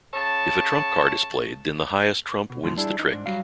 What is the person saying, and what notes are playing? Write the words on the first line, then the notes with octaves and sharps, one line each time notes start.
If a trump card is played then the highest trump wins the trick.
C#3 C#5 A5
B2
A2 D#3 F3 F#3 G#3
G3 D4 E4 G#4
D#4
G#2 D4
F#3 G3 F#4 F5